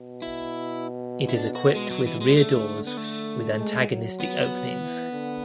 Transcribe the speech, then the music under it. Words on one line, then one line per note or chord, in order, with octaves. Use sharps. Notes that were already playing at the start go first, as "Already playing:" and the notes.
It is equipped with rear doors with antagonistic openings.
Already playing: B2
E4
E4
D4
F#4
G#3
F#3
E3
G#3
D3 A3
B3
A3
G#3
F#3
B3
E3
D3